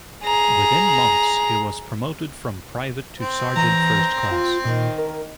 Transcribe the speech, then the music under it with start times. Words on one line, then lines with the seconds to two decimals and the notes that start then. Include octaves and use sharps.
Within months, he was promoted from private to sergeant first class.
0.24 G#4 A#5
3.20 C4
3.56 E3 A#5
4.31 F4
4.65 A#2 D#3
4.98 A#4